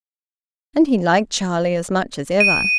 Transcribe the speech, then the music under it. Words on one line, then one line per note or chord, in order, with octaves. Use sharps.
And he liked Charlie as much as ever.
D#7